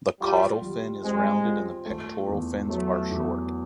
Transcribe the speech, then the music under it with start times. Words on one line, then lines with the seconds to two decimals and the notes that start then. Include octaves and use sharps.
The caudal fin is rounded and the pectoral fins are short.
0.20 G3 F4
0.62 G3
1.03 G#3 C4
1.45 F4
1.86 A3
2.28 E2
2.69 F#3 A3
3.11 E2